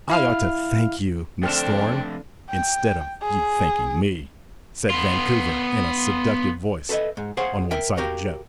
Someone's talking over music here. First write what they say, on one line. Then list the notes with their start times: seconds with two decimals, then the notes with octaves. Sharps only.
"I ought to thank you, Miss Thorn, instead of you thanking me," said Vancouver, in a seductive voice, on one side of Joe.
0.10 E4 F5 F6
1.43 F2 D3 A3 C4 D4 G5 F6 E7
2.50 G5
3.22 G#4
4.90 B3 F4
6.89 A4 B4 C5 D#5 E5
7.17 G#2
7.37 G#4 C5 C#5 F5 F#5
7.71 A#4 E5 G5
7.97 F#4 G4 A#4 F5 G5